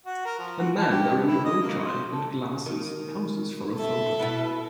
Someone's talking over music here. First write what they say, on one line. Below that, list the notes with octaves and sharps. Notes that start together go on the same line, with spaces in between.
A man wearing a bowtie and glasses poses for a photo.
F#4
A#4
F3
F#4
A5
G4
E4
D#5
A#3
C5
A4
D#3
A4 E5
B2 B3 E4